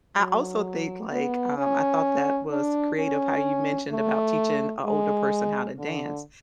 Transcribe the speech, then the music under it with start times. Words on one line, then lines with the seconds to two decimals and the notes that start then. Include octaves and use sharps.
I also think, like um, I thought that was creative how you mentioned about teaching an older person how to dance.
0.17 F#3
1.11 B3
1.58 C#4
2.51 D4
2.98 C#4
3.91 A3
4.86 G#3
5.79 D3